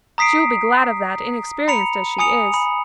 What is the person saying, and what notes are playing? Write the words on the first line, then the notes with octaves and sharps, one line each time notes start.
She will be glad of that, inexperienced as she is.
A#5 D#6 B6 C7 D7
A#5 B5 C#7 F7
G#5 D#6 C#7 F7
B5